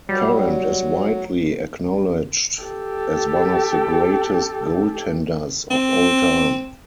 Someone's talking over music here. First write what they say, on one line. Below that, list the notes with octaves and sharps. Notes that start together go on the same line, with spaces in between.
Parent is widely acknowledged as one of the greatest goaltenders of all time.
F#3 G3
G4 A4
C4